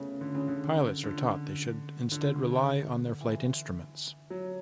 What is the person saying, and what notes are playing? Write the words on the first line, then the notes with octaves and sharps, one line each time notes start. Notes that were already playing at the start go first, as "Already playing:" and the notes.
Pilots are taught that they should instead rely on their flight instruments.
Already playing: C#3 A3 B3
D3
C#3
D3
D3
D3
E3
F#3